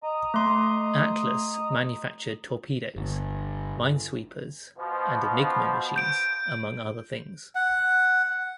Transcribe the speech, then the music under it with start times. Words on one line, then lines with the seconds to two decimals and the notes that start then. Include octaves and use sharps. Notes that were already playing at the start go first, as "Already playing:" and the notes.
Atlas manufactured torpedoes, minesweepers and Enigma machines, among other things.
0.03 D#5 A#5 D#6
0.34 A3 C6
2.96 G1
4.77 B2 F3
5.96 G6 D7
7.55 F#5